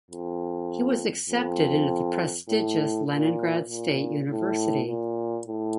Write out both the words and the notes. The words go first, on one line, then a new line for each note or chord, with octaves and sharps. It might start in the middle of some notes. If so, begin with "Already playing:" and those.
He was accepted into the prestigious Leningrad State University.
F2
F2
A2
A#2
A#2
A2
A#2
A2